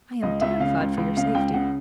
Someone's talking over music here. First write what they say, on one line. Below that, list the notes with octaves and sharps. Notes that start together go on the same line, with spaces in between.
I am terrified for your safety.
C#2 D#5
C#2 E5
C#3 F5
C#2
C#2
C#3 F5
C#2 G5
C#3 F#5